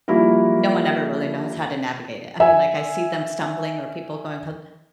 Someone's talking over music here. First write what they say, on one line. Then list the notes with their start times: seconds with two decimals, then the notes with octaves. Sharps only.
No one ever really knows how to navigate it. I mean, like, I see them stumbling or people going ho
0.08 F3 G3 A#3 E4 F#4 A#4
2.40 E5 G#5